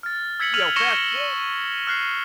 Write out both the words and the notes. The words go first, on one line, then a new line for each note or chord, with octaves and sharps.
you know, fast forward
F6 A6
E6 G#6 B6 C#7 F#7
E6 F6 G#6 D#7 F7 F#7
C#6 A#6 C#7 D#7 E7 G7
F#7
F6 F#6 C7